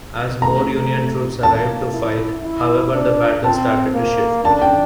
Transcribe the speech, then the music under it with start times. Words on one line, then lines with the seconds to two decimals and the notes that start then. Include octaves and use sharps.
As more Union troops arrived to fight however the battle started to shift.
0.42 A3 A#5
1.43 A#3 A5
1.93 E4
2.44 E4
2.93 D4
3.43 C4 A5
3.94 A#3
4.44 D4 A5
4.62 G5